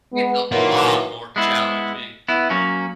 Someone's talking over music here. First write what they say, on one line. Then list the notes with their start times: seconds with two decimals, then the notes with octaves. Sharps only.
It's a lot more challenging.
0.12 G#3 B3
0.52 A#2 D#3 E3 F#3 A#3 F4 A#4
1.36 G#3 B3 E4
2.28 B3 E4
2.50 F#3 A#3 C#4